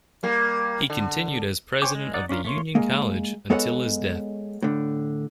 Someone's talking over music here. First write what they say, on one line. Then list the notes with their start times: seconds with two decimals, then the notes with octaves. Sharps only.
He continued as president of Union College until his death.
0.23 G3 A#3
0.90 D3
1.82 C5 C#5 G5 G#5 D6
1.95 G#3
2.14 D#4 D5 F#5
2.29 C#4 D4 F4 A#4
2.44 A3 A#3 C#5 C6
2.75 G#3 A#3
3.50 G#3 B3 A4 C#5 D#5 F#5
4.63 A2 D3